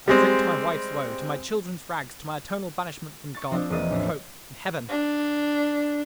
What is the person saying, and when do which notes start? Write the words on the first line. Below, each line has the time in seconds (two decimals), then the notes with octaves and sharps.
I drink to my wife's woe; to my children's rags; to my eternal banishment from God, and hope, and heaven!
0.08 G3 G#3 C4
3.35 C#6 A6
3.51 F3 C4 D4
3.70 E1 A#3 D#6 A6
3.91 A1
4.88 D4